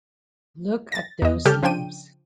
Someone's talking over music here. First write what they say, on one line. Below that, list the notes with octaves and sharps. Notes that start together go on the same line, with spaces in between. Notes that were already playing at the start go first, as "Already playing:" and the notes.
Look at those sleeves!
A6 A#6
E2 D#5
C#3 G3 G4 A4 F6 G6
C#3 F3 D4 G5 D#7